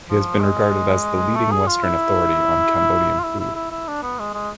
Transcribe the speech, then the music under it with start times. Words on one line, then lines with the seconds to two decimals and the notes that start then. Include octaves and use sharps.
He has been regarded as the leading Western authority on Cambodian food.
0.09 F3
0.41 G#3
1.35 A3
1.52 G#4
1.67 F4
1.83 E4
3.19 F4
3.24 E4
3.40 E4
3.55 E4
3.71 E4
3.88 D4
4.03 B3
4.19 G#3
4.34 G#3